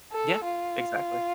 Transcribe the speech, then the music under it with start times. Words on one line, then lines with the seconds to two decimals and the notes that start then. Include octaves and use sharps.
Yeah, exactly.
0.13 A4
0.44 F4